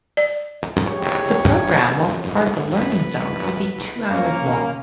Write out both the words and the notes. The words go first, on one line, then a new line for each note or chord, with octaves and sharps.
The programme whilst part of Learning Zone would be two hours long.
D5
F3 G#3 G4 C#5
B4
A#3 C#4